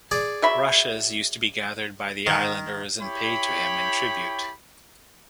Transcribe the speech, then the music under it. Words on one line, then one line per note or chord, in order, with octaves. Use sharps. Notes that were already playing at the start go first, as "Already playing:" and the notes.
Rushes used to be gathered by the islanders and paid to him in tribute.
G#4 D5
F#3 E5 B5
D#3
E4 G4 C#5 G5 B5